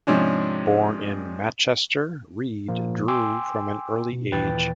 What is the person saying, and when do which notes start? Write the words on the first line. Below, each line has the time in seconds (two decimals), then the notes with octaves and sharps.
Born in Machester, Reid drew from an early age.
0.07 G#2 C3 F3 C#4 D4
2.68 A#2 F3 A#3
3.08 G5 G#5 C6 D6 E6
4.13 B2
4.31 D#2 A#2 E3 B4 G5 A6